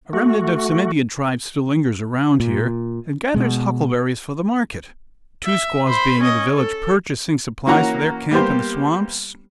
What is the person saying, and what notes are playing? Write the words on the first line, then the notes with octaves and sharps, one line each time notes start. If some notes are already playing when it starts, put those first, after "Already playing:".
A remnant of some Indian tribe still lingers around here and gathers huckleberries for the market, two squaws being in the village purchasing supplies for their camp in the swamps.
A3 F#4
A#2
B2 G#3
E5
C5 B5
C#4 D#5
A4
E3 A#3 C#4 F#4 F#5 A#5
G3 A#3 B3 G4 C5